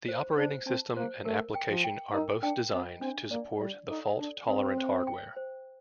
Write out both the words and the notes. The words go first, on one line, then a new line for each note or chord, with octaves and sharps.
The operating system and application are both designed to support the fault tolerant hardware.
C5
D4 C5
C4 A5
A#3 C5
A3 A#4
G5
F3
G5
D#4 A#4
D4 G5
C4 D#5
C4 D4
A#3 D5
G3 D5
D#4 A4
D4 D5
C4 A4
C5
G5
C5